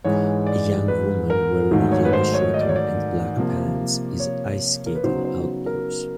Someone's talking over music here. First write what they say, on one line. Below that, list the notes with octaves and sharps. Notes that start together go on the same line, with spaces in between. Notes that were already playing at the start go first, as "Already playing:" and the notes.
A young woman wearing a yellow sweater and black pants is ice skating outdoors.
G#2 E3 G#3 C#5
D5
B4
A#4
G#2 D#3 F#3 A3
C#5
B4
C5
C#5
D#5
D5
C#5
D5
C3 F3 A#3
C#5
A#4
B4
C#3 F#3 B3 D#4 C5
C5
A#4